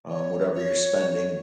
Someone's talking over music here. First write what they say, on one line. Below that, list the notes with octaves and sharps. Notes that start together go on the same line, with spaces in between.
um, whatever you're spending,
C#5
C#5